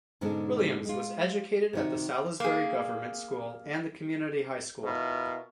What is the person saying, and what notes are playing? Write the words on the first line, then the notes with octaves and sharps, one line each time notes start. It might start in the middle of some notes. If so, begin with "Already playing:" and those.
Williams was educated at the Salisbury Government School and the Community High School.
G#2 B2 D3 G#3 C#4 D4
G#3 F4
C3 D#3 F#4
A#3 G#4
B2 E4 F4 A#4